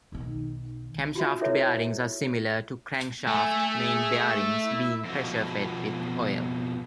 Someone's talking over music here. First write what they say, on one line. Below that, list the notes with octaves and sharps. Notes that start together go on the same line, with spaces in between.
Camshaft bearings are similar to crankshaft main bearings, being pressure-fed with oil.
B1 D#3
F4 F#4 E5
E4 A4 B4 C#5 D5 E5
A3 E5 G#5
G#4
E4
F2 B2